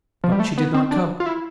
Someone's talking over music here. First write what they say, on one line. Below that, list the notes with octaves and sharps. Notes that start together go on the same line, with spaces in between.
But she did not come.
F3
G3
A3
B3
C4
D4
F4
E4